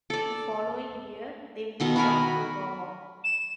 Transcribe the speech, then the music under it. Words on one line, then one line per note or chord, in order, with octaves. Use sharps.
The following year, they moved on to Burma.
A4 D5
B2 D#3 C6
F#4 A#4 G#5 B5
E7